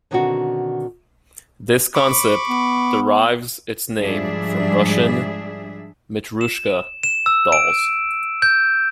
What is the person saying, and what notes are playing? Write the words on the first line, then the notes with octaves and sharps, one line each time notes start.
This concept derives its name from Russian Matrioshka dolls.
B2 D3 D#3 C4 D4 F#4
B5 C#6 D6
B3
G#2 F3 G3 D4 G#4 E5
E7
E7
E6
D7
G6